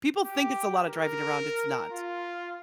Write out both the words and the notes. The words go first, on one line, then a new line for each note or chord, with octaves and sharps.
People think it's a lotta driving around, it's not.
G4
A#4
F4